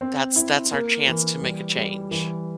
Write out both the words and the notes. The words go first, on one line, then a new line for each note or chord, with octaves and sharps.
that's that's our chance to make a change.
C4
E4
A#3
E3
G3
G3
E3